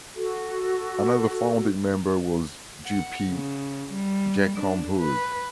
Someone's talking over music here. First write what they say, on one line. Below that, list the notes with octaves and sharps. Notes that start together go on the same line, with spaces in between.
Another founding member was G. P. Jacomb-Hood.
F#4 A4
F#5
C#3
G3
D4
B4